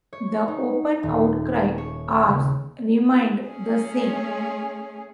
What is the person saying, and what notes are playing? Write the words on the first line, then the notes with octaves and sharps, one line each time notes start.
The open outcry hours remained the same.
C#5
D#4
D#1
C#5
C#3
A3 C#4 G#4